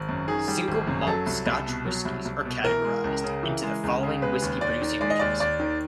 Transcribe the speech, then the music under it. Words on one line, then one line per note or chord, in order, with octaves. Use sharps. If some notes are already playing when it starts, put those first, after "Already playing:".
Single Malt Scotch whiskies are categorised into the following whisky-producing regions.
Already playing: G#1
F#2
D#3 G#4
G3
G#1
F#2
G#4
F#3 A4
C2
C2
B2
F#3
C2
C2
B2
E3 A#4
G#3
C#2
C#3
E3
G#3
C#2
C#3
G#3 B4
D#2
D#2 D5
D#3
G#3 D5
D#5
D#2 D5
D#2 D5
D#3